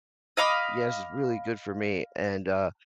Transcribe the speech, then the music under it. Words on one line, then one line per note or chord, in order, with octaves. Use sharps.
Yes. It's really good for me, and, uh,
D#5 F5 B5 D6